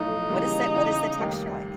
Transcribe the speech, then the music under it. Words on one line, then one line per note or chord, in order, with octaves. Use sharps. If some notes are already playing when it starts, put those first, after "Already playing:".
What is tha what is the texture like?
Already playing: B1 A2 F3 A3 D#4
C#3 E3 G3 A#3
E2 C#3 E3
F1 D#2 D#3 G3 A#3